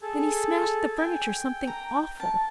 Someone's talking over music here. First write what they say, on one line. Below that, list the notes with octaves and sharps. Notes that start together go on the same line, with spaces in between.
Then he smashed the furniture something awful.
G#4 A4
G5 G#5
A#5
A5